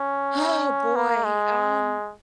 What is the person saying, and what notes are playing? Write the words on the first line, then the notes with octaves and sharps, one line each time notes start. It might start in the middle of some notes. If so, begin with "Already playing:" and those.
Oh, boy, um,
Already playing: C#4
A#3
G#3